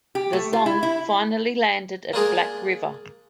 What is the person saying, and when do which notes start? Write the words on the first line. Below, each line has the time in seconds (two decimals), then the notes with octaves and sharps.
The "Zong" finally landed at Black River.
0.15 G4
0.33 A3
0.53 F4
0.66 E4
0.83 E4
2.13 A#3 D4 F4 G#4 A#4